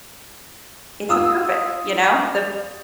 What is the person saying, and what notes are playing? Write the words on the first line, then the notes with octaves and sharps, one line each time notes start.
"It's a purpose," you know? The
F4 D#6 E6